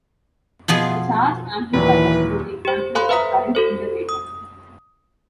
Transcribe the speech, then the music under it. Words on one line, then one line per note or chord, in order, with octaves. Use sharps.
A charge amplifier is an example of current integrator.
B2 F3 B3 G#4
D#2 A#2 E3 F#3 B4
G4 C5
A4 F5 G#5 B5 C6 F#6
B4 C5 E5 A#5 D#6 B6
F#4 A4 C5
D#6